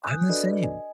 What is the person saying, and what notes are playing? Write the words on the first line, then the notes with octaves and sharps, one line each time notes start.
I'm the same.
G#5 D#6 F#6 G6
D4 F#4 A4 B4 D5 D#5
D#5 G#5